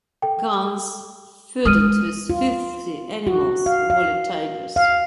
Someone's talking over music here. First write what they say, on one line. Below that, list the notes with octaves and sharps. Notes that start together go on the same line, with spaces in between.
Gunns feuded with the Filthy Animals' valet Tygress.
A4 G5
G#3 D#6 F6 D#7
F4
F#4
F5
F5
F5